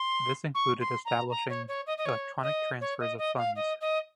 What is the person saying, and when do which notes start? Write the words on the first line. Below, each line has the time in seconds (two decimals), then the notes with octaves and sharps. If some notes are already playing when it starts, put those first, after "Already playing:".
This included establishing electronic transfers of funds.
Already playing: C6
0.54 C#6
0.80 C6
1.05 A#5
1.30 A#5
1.49 C#5
1.68 C#5
1.86 D#5
1.97 D#5
2.05 C#5
2.43 D#5
2.81 C#5
3.00 D#5
3.18 D#5
3.38 F5
3.55 D#5
3.81 D#5